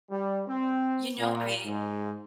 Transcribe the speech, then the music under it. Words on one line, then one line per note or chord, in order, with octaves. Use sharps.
You know, I
G3
C4
A#2
G#2